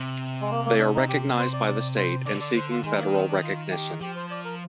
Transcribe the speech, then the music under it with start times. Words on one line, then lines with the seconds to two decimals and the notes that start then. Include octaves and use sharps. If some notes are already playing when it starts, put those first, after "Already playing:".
They are recognized by the state and seeking federal recognition.
Already playing: C3
0.41 G#3
0.51 A#3
0.65 A#3
0.79 D4
0.95 D#4
1.09 G4
1.38 C5
1.53 D5
1.67 D5
1.96 C5
2.26 D3 D5
2.40 D5
2.56 C5
2.70 F4
2.84 D#3 G#3
2.98 A#3
3.13 C4
3.28 D4
3.43 F4
3.71 G4
4.01 F3 G4
4.16 C5
4.31 D5
4.44 A#4